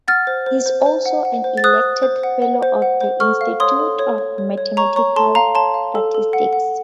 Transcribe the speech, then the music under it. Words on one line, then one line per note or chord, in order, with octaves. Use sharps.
He is also an elected Fellow of the Institute of Mathematical Statistics.
F#5 F6 A6
C5
C5
C5
C5
F#5
F#5
C5
A6
C5 D#6 F#6
C5
C5
F#5
F#5
C5
F#5
C5
A4 C#6 F6
F5
C#5 C6 D#6
A4
C#5
C#5
C#5
C#5
C#5 A#5 C#6
C#5 A#5 C#6
A4 A5 C6
F5 A#5
C#5 A5 C6
F5
A4
A4
F#5
F#5